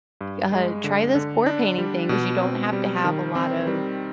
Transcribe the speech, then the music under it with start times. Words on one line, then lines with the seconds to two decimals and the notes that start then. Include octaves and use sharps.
uh, "Try this pour painting thing." 'Cause you don't have to have a lot of
0.21 G2
0.52 G#3
0.84 D3
1.15 D3
1.46 D4
1.78 G3
2.09 B2
2.41 C4
2.73 G3
3.04 D#3
3.35 C4
3.67 G3